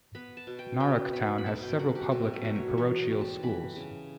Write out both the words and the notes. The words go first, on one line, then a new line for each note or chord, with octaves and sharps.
Narok Town has several public and parochial schools.
B3 B5
A5
B2
G5
B3 G5
B3 B5
B5
B2 A5
G5
F#3 F#5
G4
B2 A4
B4
F#3
C#5
E3 C#5
G3
A5
E3 B5
C#3